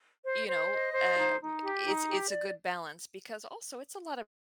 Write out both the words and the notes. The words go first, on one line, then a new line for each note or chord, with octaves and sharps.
you know, um, it's it's a good balance because also it's a lot of
C5
C5
D#5
C5
D#4
D#4
G4
D#4
G4
D5